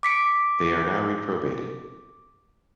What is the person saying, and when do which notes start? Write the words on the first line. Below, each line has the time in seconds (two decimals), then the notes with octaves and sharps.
They are now reprobated.
0.03 D6 B6 C#7 D7